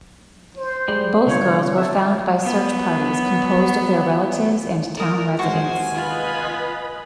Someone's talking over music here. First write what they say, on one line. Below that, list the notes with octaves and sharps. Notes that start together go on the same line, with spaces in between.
Both girls were found by search parties composed of their relatives and town residents.
C5
G3 G#3
C2 D3 F4 C#5
A3 E5
F#3 B3
A#4 D5 D#6
D#2 C3 G#3 F4 F#4 C5 G#5 C#6
F4 B4 D#5 B5